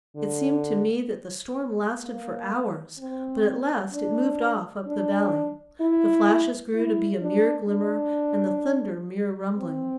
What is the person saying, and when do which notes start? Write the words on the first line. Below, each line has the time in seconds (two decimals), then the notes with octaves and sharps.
It seemed to me that the storm lasted for hours; but at last it moved off up the valley, the flashes grew to be a mere glimmer, and the thunder mere rumbling.
0.17 D3
2.04 A#3
2.99 C4
3.93 D4
4.87 D4
5.81 E4
6.75 E4
7.22 D4
7.69 D4
9.57 C4